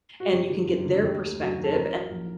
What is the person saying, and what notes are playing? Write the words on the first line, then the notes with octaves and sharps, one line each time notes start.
and you can get their perspective and
F#4
G1 G4
D#3
F#1
D3
D#2 G4
A3
F#1 F#4
D#3
A4
C5
A1 A#4
F#3
A#1